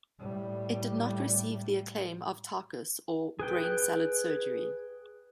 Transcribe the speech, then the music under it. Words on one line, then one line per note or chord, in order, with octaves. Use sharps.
It did not receive the acclaim of "Tarkus" or "Brain Salad Surgery".
A2 G3
G#4 B4 G5